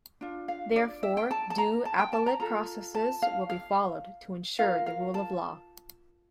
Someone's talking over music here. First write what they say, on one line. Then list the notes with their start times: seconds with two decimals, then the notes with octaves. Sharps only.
Therefore due appellate processes will be followed to ensure the rule of law.
0.21 D4 F4
0.48 F5
0.76 D5
1.03 E5
1.17 G5
1.31 A5
1.50 A5
1.58 A#5
1.85 A5
1.99 G5
2.13 A5
2.26 A#5
2.40 F4 A4 A#5
2.95 A5
3.22 F5
3.50 F5
4.59 F4 A#4 F5
4.86 F5
5.14 A5